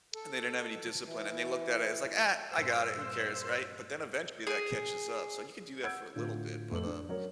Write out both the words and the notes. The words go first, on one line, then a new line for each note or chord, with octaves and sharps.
And they didn't have any discipline and they looked at it it's like, "Ah, I got it, who cares," right? But then eventually that catches up so you could do that for a little bit, but um
A4
E3
G2 A#2 C5 E6
G#4
F#5 E6 G6 G#6 D7
A2 D3 F4
F2 A3 F#7
D4
F#3 C#4 A#4 C#5